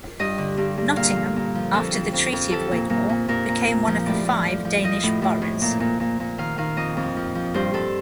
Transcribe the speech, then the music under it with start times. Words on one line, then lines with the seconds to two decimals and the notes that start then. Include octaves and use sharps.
Nottingham, after the treaty of Wedmore, became one of the five Danish boroughs.
0.19 G2 D#5
0.38 D3
0.57 G2
0.77 G2
0.96 A#2 F5
1.16 A#2
1.36 A#2
1.55 F3
1.73 F2 A4
1.93 F2
2.13 F2
2.33 F2
2.51 F3 A4
2.72 A#2
2.90 A#2
3.09 A#2
3.28 A#2 A#4
3.48 A#2
3.67 A#2
3.87 F3
4.06 A2 D5
4.25 A2
4.45 F3
4.65 F3
4.84 F3 D#5
5.03 A2
5.22 A2
5.42 A2
5.62 A#2
5.80 A#2
6.00 A#2
6.20 A#2
6.38 D#3 F5
6.58 D#3 F5
6.77 F2 D#5
6.97 F2
7.17 F3
7.35 F3
7.54 G2 C5
7.73 G2 A4